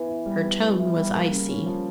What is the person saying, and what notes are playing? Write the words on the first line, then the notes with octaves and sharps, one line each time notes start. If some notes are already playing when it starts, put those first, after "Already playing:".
Her tone was icy.
Already playing: E3 B3
E4
G3
B3
E3
E4
G3
A#3
C#3
C#4
F3